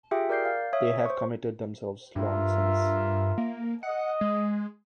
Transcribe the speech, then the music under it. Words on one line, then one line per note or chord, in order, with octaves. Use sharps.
They have committed themselves long since.
F4 G4 G#4 E5 G5
A#4 D5 G6 C7
F5
C#5 E5 D#6
C5 C#6
G2 F4 A#4 E5
A#3
D#5 F#5
G#3